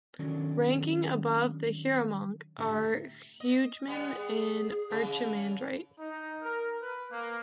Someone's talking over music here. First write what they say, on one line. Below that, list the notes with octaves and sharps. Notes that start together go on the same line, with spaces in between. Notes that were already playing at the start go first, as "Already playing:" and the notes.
Ranking above a hieromonk are a hegumen and an archimandrite.
D#3 F#3 C#4 D4 A4
A2 D3 G4 E5 A#5
D#5
G3 B3
G#4
C#3 E3
D#4
A#4
B4
A#3